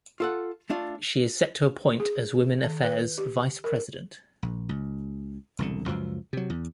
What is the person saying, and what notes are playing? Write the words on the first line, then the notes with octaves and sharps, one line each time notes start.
She is set to appoint as Women Affairs's Vice President.
F4 A4 F#5
A3 D4 F4
G#4
D#3
B4
G4
A#4
A#1
C#2
E1 C2 D3
C#2 F#2 F3
C3 F#3
E2